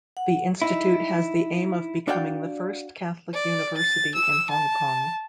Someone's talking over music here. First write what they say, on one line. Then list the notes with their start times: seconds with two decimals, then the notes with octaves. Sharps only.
The institute has the aim of becoming the first Catholic University in Hong Kong.
0.17 F#5
0.62 D#4 E4
2.08 D4 F#4 D5 F5 G5
3.34 D5
3.77 A6
4.15 E6
4.50 A5